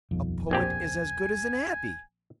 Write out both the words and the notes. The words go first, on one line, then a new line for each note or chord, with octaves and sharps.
A poet is as good as an abbe.
D#1 B1 F2
A#1 C4 G4 G#5